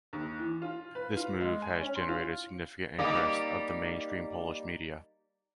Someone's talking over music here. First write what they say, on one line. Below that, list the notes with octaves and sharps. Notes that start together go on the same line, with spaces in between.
This move has generated significant interest of the mainstream polish media.
D#2
E3
F4
B4
F4
G#3
G#5
C#4
C6
F4
G3 A#3 D#4